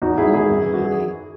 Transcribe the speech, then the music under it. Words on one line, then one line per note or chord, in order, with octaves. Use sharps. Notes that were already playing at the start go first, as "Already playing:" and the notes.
Oh my.
E2 D#4 F#4
E2 E4 G#4
D#3 E4 G#4
F#2
E3
F#4
E3 G#4